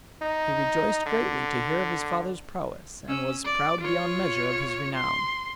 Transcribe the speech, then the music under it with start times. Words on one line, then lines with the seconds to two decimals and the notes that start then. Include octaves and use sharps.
He rejoiced greatly to hear of his father's prowess, and was proud beyond measure of his renown.
0.21 D#4
1.06 D3
3.08 C#4 E6
3.45 D5
3.81 F4 C#5
4.95 C6